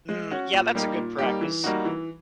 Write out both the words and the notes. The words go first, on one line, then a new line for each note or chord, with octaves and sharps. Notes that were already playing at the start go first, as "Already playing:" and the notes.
Mm, yeah, that's a good practice.
G#3
C#4 F#4
A#2
G3 A#3 D#4 G4
A#2
G3 A#3 D#4 G4
E3
G3 A#3 D#4 F#4
E3